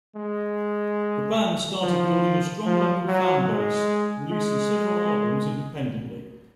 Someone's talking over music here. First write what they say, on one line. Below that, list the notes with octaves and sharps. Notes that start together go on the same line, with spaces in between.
The band started building a strong local fanbase, releasing several albums independently.
G#3
F3
F3
F#3
G#3
G#3